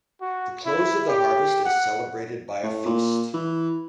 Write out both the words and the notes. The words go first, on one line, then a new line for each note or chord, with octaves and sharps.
The close of the harvest is celebrated by a feast.
F#4
E4
G4
F#5
A2
A#2
E3